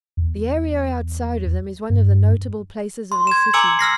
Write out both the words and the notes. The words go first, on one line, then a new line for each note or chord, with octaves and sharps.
The area outside of them is one of the notable places of the city.
E2
G2
C6
G#6 E7
G#5 A#5 D6 E6 C#7 F#7
E6 F6 A#6 C7